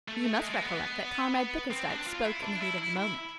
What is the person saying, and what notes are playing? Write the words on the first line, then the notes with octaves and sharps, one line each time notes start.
You must recollect that Comrade Bickersdyke spoke in the heat of the moment.
A3
A3
G#3
G#3
B3
C4
D4
F4
E4
D4
E4
E4
E4